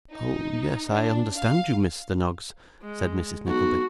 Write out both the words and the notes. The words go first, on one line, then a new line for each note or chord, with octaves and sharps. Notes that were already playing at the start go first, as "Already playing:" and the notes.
'Oh yes, I understand you, Mr Noggs,' said Mrs Nickleby.
D#4
D4
F5
G#3
B1 F#4